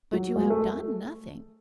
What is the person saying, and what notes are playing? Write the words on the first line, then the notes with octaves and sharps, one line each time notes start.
'But you have done nothing.'
F#3
G#3
A3